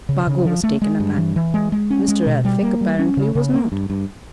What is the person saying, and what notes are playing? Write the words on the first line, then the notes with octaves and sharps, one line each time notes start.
Spargo was taken aback: Mr. Elphick apparently was not.
C#3
C#3
F3
A3
G#3
G2
E3
E3
G#3
G#3
C#4
G#3
B2
G3
A#3
G3
C#4
C#3
C#3
A#3
G2
G2